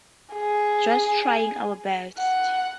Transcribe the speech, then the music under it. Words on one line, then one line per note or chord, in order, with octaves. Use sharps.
Just trying our best.
G#4
F#5